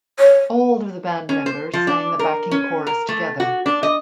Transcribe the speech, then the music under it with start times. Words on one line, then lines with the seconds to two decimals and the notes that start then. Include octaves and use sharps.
All of the band members sang the backing chorus together.
0.19 C#5
1.29 C#4
1.46 C5
1.73 F3
1.87 D4
2.19 A#4
2.51 C#4
2.87 A#4
3.09 A3
3.40 F#4
3.66 D4
3.83 D#5